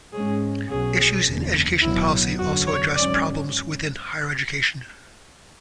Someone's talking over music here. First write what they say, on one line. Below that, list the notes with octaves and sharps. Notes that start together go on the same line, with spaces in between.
Issues in education policy also address problems within higher education.
G#2 G#3 C#4 G#4
B1 B2 F#3 C#4 G#4
F#1 E2 D3
B1 A2 F#3 B3 E4
F#1 E2 D3 F#3 F#4
C#5
G#1 G#2 F#3 C#4 D5